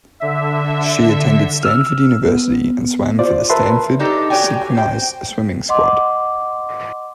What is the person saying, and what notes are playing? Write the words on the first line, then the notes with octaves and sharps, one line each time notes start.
She attended Stanford University and swam for the Stanford Synchronized Swimming Squad.
D3 E5
E6 F6
B3
F4 C5 D5
A#4 B4 E5 A5 C6
D4 D#4 G4 A4 D#5
F#4 G4 C#5 D5 G5 G#5
C5 G5
D#5 F#5 C6 D6